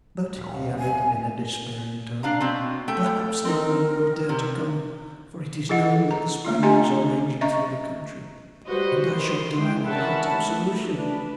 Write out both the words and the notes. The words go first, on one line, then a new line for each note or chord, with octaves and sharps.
But," he added in a despairing tone, "perhaps no one will dare to come for it is known that the Spaniards are ranging through the country, and I shall die without absolution.
D#1
G#5
D4 F5 A#5
B2 C4
A3 A4 G5
C4 D#4 A#4
C3
G#4 A4 D#5 F#5
A#5
A3 A#3 F4
C4 D4 G4 D#5 G#5 A#5
A#5
D#5 E5 A#5 C#6
G3 F#4 B4 C5 D#5
D#3 C6
E3 G#3 G5
C#4 A#4 E5 F#5 A5 B5
A3 D#4
D4 B4